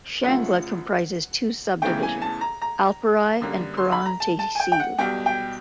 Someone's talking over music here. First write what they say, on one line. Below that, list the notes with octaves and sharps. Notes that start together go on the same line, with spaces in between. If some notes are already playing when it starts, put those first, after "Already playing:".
Shangla comprises two sub division, Alpuri and Puran Tehsil.
F#2 C#3 F3 A3 F#5
E2 C#3 E3 A3 G5
G#5
A5
A#5
A#5
F#2 D3 G3 A#3
C6
B5
A#5
A5
A5
G#5
G5
G5
F#5
B1 B2 G3 G5
G5